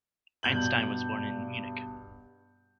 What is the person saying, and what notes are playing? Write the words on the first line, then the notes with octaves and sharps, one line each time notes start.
Einstein was born in Munich.
G2 B2 G6 F#7